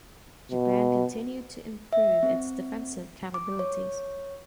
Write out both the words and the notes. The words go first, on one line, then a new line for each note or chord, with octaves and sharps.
Japan continued to improve its defensive capabilities.
B2
E5
C4
D6
C#5